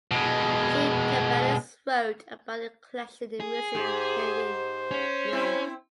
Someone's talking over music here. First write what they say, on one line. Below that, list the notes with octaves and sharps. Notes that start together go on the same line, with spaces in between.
Jean Cabanis wrote about the collection in Museum Heineanum.
B2 G#3
G#4
G#2 G4 C5
C#4
C4 E4